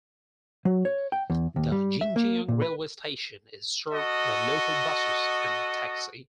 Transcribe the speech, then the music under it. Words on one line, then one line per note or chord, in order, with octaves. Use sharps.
The Jinjiang Railway Station is served by local buses and taxi.
F#3
C#5
G5
E2
D#2
G3
E5
A#3
A#2
B4
F#4 A4 D#5